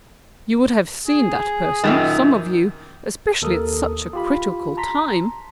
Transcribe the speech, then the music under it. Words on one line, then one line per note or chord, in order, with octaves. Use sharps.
You would have seen that person, some of you, especially at such a critical time.
G#4
F#2 A#2 D#3
D#2 A4 A#4 D#6
F4 G4 B5
A5 A#5 C6 B6